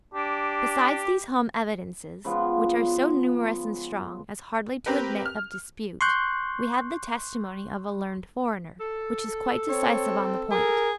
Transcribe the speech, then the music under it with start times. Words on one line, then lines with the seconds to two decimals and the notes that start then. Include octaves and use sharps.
Besides these home evidences, which are so numerous and strong as hardly to admit of dispute, we have the testimony of a learned foreigner, which is quite decisive on the point.
0.14 D4 G4
2.24 C#3 F3 G#3 B3
4.86 C4 G4 A#4 B4
5.26 F6
6.01 C6 C#6 F#6 G6
8.80 A4
9.69 C4 C#5
10.51 G#4 A#4